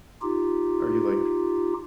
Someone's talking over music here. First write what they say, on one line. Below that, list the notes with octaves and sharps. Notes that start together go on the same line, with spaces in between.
Are you like
D#4 F4 G4